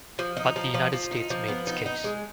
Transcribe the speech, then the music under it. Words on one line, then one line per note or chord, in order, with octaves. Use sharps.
But the United States made its case.
F3
D#4
F3
F3
F3
D#4
F3
B3
D#4
D#4
G#3